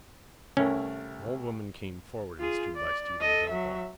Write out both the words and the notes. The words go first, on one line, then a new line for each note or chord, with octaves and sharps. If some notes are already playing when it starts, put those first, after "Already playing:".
An old woman came forward and stood by Stephen's elbow.
C2 A3 C#4 A#4
F4 G#4
D5
A4 D#5
F#3 E5